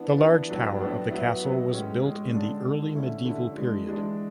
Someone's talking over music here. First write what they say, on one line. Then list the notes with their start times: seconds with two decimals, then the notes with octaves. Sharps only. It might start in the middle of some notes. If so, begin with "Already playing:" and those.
The large tower of the castle was built in the early medieval period.
Already playing: E3 B3 D4
0.18 E3 B3 D4
0.49 A2 F#3 B3 D4
0.79 A2 F#3 B3 D4
1.10 F#3 B3 E4
1.41 F#3 B3 E4
1.72 A2 G#3 C#4
2.02 A2 G#3 C#4
2.33 D3 G#3 D4
2.64 D3 G#3 D4
2.95 D3 A3 C#4 E4
3.25 D3 A3 C#4 E4
3.55 E3 G#3 D4
3.87 E3 G#3 D4